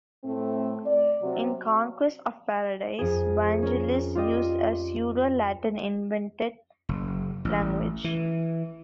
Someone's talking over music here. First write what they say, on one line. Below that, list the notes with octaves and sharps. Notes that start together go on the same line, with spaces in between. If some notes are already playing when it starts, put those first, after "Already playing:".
In "Conquest of Paradise" Vangelis used a pseudo-Latin invented language.
A2 A3 C4
D5
C3 F#3
F2 G#4
C#4 A#4
F4 G4 D5 D#5 G5
F#1
A1
E3